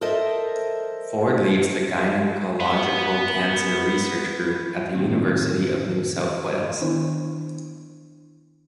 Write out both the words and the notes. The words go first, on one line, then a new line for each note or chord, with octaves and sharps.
Ford leads the Gynaecological Cancer Research Group at the University of New South Wales.
A4 A#4 C5 D#5 E5
B4 F#5
A2 D#3 F3 C4
G2 B4 D#5
D#3 B3 D4 E4